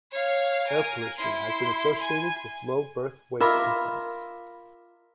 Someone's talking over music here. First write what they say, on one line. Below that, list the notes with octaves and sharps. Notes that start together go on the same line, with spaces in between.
Air pollution has been associated with low birth weight infants.
C#5 F5
A#4 G#5
E4 C6
G#5
F4 A#4 D#5 E5 B5 D6